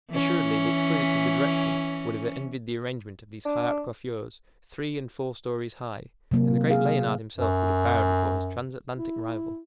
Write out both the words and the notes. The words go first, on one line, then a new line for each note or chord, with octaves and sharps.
Assuredly, the exquisites of the Directory would have envied the arrangement of these high-art coiffures, three and four stories high, and the great Leonard himself would have bowed before his transatlantic rival.
E3 C#4
D4
C3 F#3 A#3
G#4 F5
F#2
E4